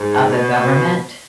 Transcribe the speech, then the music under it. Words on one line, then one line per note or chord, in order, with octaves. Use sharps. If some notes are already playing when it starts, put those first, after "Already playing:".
of the government
Already playing: G#2
B2